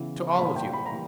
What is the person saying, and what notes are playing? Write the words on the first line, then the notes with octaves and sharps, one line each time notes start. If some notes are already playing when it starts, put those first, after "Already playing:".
To all of you.
Already playing: C#3 E3 B3
C#6
A#2 G3 A#3 B5
G5
B5
A#5
E3 G3 A#3